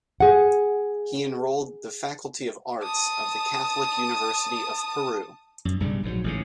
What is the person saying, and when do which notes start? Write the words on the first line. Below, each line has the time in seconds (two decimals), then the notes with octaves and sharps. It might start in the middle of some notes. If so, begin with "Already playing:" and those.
He enrolled the Faculty of Arts of the Catholic University of Peru.
0.20 G#4 F#5
2.82 A5 D#6
5.65 F#2
5.80 B1 G2 C#3 G3
6.03 A#1 G#2 F3 F#3
6.24 A1 G#2 C#3